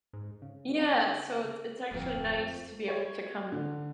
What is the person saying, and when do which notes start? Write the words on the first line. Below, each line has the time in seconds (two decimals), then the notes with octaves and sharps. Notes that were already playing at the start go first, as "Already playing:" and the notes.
yeah, so it's it's actually nice to be able to come
0.13 G#2
0.42 C#3
1.91 D1 F2 A#3
2.88 C#5
3.52 D3